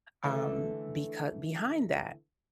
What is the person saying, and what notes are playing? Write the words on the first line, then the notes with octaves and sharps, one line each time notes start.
um, becau behind that
D3 E3 A3